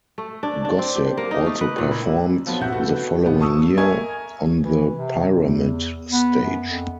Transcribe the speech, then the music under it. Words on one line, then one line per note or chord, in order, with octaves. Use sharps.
Gossip also performed the following year, on the Pyramid Stage.
A3
D4
D4
C4
G4
A#3
D#4
A3
B4
A#2
E4
F3 F#3 B3
D#1 C3 F#4 E5 F#5 G6
F#4 A4 B4
D#1 A#2 B3
A5 C#6 D#6 E6
A#4 D#5 E5 G#5 C#6 G#6
E3
C3
E2
B3
F#2
F2